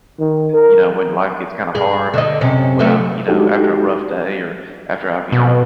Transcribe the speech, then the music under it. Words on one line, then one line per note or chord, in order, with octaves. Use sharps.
you know, when life gets kinda hard or when, um, you know, after a rough day, or after I've, you know,
D#3
A#4
G2 G#4
D3 D#5
F#2 C3 C#4
F#3 A3 B3
G#3 D4 D#4 F#4 G4 A4
B2